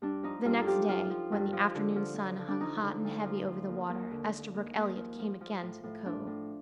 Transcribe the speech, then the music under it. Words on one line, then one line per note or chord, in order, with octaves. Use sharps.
The next day, when the afternoon sun hung hot and heavy over the water, Esterbrook Elliott came again to the Cove.
G2 D4
F3 D#4
G2 F4
A4
F3 G4
F3 F4
F3
G2
F3
D3
F3
F3
D3
D4
F3 D#4
D3
D2
F3
F3
D#2
D#2
D3
D#2
D#2
D#2
F3
F3
F3
A2
A2
F3 D4
A2